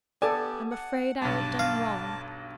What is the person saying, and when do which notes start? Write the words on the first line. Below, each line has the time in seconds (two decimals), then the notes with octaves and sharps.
I'm afraid I have done wrong.
0.22 B3 G4 A4 D5 G#5 A5
0.71 F#5
1.21 B1 G2 A5 D6
1.59 F5